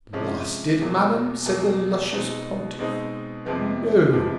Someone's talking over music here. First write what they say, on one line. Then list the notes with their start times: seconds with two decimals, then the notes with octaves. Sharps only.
Blasted, Madam, said the luscious Pontiff; No!
0.13 C3 F3 G#3 C#4
0.79 E2 B2 F#3 A#3
1.46 E2 B2 F#3 A#3
2.12 B2 G#3 C4 D#4
2.79 B2 G#3 C4 D#4
3.45 F2 C3 F3 G#3 B3
4.12 F2 C3 F3 G#3 B3